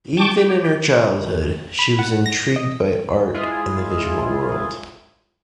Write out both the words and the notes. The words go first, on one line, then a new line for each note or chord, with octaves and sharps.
Even in her childhood, she was intrigued by art and the visual world.
G5 A5 C#6 D6
G4
B5
F#5
A#6
D#5
G#3 E4 F4 G#4